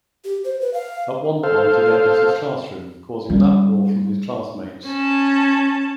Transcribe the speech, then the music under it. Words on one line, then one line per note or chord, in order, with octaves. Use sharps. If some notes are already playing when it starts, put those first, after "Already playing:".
At one point it enters his classroom, causing an uproar from his classmates.
G4
C5
B4
F5
A4 C5 F5
G3 C#4
C#4 A5